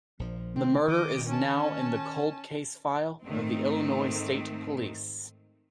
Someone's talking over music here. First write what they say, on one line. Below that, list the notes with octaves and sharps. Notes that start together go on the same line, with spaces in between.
The murder is now in the cold case file of the Illinois State Police.
A#1 F3
C3 D#3 A3 C4
D#3 D#5 D6
C#4 A5
G#2 D#3 A3 C4